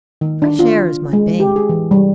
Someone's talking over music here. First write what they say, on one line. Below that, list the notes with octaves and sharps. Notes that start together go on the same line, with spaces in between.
Fresh air is my bane.
D#3
D4
F4
G#3
G4
G#4
E3
G3